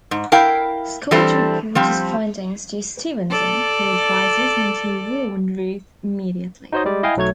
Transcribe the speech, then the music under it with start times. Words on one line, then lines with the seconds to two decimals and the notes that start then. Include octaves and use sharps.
Scott reports his findings to Stevenson, who advises him to warn Ruth immediately.
0.11 G#2
0.32 E4 A#4 F5 G5
1.11 E3 G3 C4 D4 A4 C5
1.75 F3 G3 C4
3.30 A4 D5
6.72 D#4 F#4 C5 C#5 D#5
6.85 G3 G#3 D5
7.03 E4 D#5 F5 G5 G#5
7.17 B1 F#3 A3 C#5 G#6